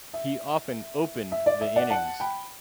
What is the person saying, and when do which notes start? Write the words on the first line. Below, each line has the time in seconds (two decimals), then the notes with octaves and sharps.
He often opened the innings.
0.14 E5
1.32 E5
1.46 D5
1.61 E5
1.76 D5 F#5
1.90 F#5 A5
2.20 G5 B5